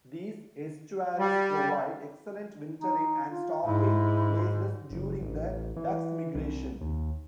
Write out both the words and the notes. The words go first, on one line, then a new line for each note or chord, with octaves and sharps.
These estuaries provide excellent wintering and stopping places during the ducks' migration.
G3
D#4
F4
G#2 E4
F#1
A1
E3
C2
D#2